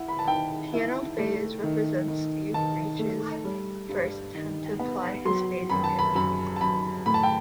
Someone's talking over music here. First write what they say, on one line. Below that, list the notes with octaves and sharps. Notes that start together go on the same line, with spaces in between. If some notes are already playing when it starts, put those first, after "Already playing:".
"Piano Phase" represents Steve Reich's first attempt to apply his "phasing" technique.
Already playing: E4 F#5
B5
A5
D#3 G5
E4
A3
D#3
D#3
D#3 A5
A3
G3
G2
D#3
B3
F#3 C6
F#2 B5
A5
B5
F#2 B5
A5
F#2 B5
A2 B5
A5
G5